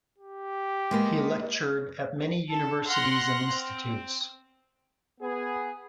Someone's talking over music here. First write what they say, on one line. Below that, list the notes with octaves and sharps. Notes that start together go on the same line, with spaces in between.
He lectured at many universities and institutes.
G4
G#3 A#3 B3
A4
F#5 C6 F6 F#6 A#6
C4
B3 G#4